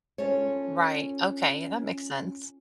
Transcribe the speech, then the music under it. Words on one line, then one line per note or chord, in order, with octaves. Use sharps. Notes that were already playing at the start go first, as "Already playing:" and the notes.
Right. Okay, that makes sense.
C#4 F4 A4 C#5